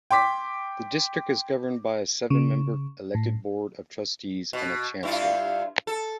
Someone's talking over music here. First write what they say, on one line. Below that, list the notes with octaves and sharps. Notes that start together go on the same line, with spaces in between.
The District is governed by a seven-member elected Board of Trustees and a Chancellor.
G5 C6 D6 B6
C#3
A2
B2
G2 E4 F4
A4